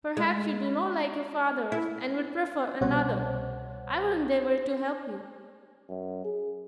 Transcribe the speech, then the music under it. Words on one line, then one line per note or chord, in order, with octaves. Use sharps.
Perhaps you do not like your father's, and would prefer another; I will endeavor to help you.
G#3
E4
C2 B2 G3 C5 C#5 F#5
F#2
G#4